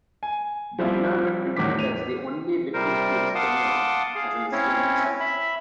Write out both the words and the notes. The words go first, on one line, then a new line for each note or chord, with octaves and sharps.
The minaret remained as the only witness to its tenure as an Islamic site.
G#5
F3 G3 C4 E4 F4
E2 A2 D#3 F#3 D6 B6
D#7 F7
C3 G3 A#4 C5
F5 F#5 A5 C6 D6 D#6
G#4 F5
C4 C#4 E4 C#5
E5 B5